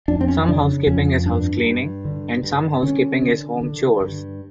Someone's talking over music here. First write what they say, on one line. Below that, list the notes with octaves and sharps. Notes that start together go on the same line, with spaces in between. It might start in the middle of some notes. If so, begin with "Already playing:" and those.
Some housekeeping is housecleaning and some housekeeping is home chores.
F2 D4
C4
C#4
C#3 D4
F2 C#4
G2 D4
G2
D3
G2
D3 C#4
D3
D3
G2